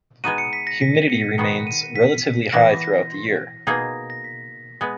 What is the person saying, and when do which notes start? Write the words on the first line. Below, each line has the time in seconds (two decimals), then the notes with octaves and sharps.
Humidity remains relatively high throughout the year.
0.24 G#3 B3 D#4 F#4 D#7
0.38 C#7
0.53 B6
0.67 A#6
0.81 B6
0.95 D#7
1.10 C#7
1.24 B6
1.38 D#3 G#3 B3 F#4 C#7
1.67 D#7
1.96 B6
2.52 E3 B3 F#4 A#6
2.81 A#6
3.67 B2 A#3 D#4 G#4 A#6
4.10 A#6
4.24 B6
4.81 G#3 B3